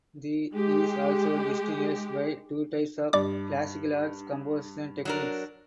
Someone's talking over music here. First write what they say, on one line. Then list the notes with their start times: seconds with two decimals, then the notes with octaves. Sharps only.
The is also distinguished by two types of classical arts composition techniques.
0.54 G#3 G4
3.13 G2 D5 D6
5.05 F#3 D4 A#4